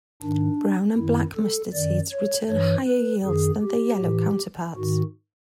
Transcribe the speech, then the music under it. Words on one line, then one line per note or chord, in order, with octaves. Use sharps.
Brown and black mustard seeds return higher yields than their yellow counterparts.
G#2 D#3 D4
F#2 D#3 E4
A4
F#2 D#3 D5
C#5
G2 E3 C#5
B4
F#2 D#3 G#4
G4
A2 E3
G#2 D#3 F#4